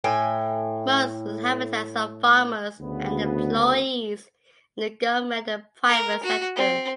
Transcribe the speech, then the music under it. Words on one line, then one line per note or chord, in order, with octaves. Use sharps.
Most inhabitants are farmers and employees in government and private sector.
A2 G5 G#5
D2 C#3 B3
A#4
F#4
C4